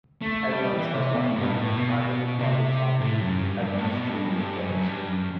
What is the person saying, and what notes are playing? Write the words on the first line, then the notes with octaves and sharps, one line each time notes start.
Edmonds has one permanent, privately funded drama group, Edmonds Driftwood Players.
A3
G3
E3
C3
B2
A2
G2
B2
A2
B2
C3
A2
F#2
G2
F#2
G2
A2
B2
G2
F#2
G2
F#2
F#2
G2
F#2